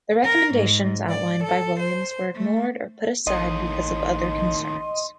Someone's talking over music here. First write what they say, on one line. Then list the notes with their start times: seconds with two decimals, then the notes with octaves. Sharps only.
The recommendations outlined by Williams were ignored or put aside because of other concerns.
0.24 A#4
0.55 G#2
1.08 D5
1.42 A4
1.78 C5
2.36 A3
3.27 A1 D#2 A2 D#5 C6